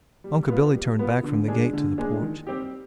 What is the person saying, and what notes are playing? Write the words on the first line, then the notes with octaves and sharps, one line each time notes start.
Uncle Billy turned back from the gate to the porch.
G3
B3 F4
G3
B3 F4
D3
G#3 D4 G#4
D3
G#3 D4 G#4
D#3
G3 C4 G4